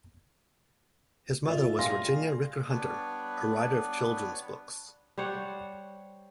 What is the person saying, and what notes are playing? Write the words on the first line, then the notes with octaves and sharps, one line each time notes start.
His mother was Virginia Ricker Hunter, a writer of children's books.
F4 D#5 E5
A#2 G3 G#4 F5 C6 A#6
G3 B3 D4 B4 C#5 D5
G3 C5 C#5 F#5